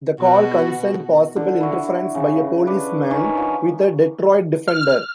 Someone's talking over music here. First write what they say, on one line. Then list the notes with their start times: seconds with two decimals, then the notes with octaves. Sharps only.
The call concerned possible interference by a policeman with a Detroit defender.
0.21 B2 F#4
1.36 D3
1.60 E4 F#4
2.15 C#3
2.67 D4 B4
3.11 D#3 C#4
3.37 F3
4.68 F6